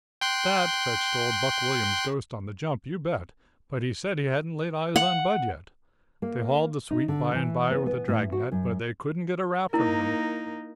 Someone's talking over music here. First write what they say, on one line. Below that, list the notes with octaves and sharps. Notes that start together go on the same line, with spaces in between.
That fetched old Buck Williams' ghost on the jump, you bet, but he said he hadn't laid eyes on Bud yet. They hauled the Sweet By and By with a drag net, but they couldn't get a rap from him.
G5 C6 F#6
F#5
A#3
D#4
D3
E3
B3
B3
A2
F#4
F#2
A#3 D#4 E4 A#4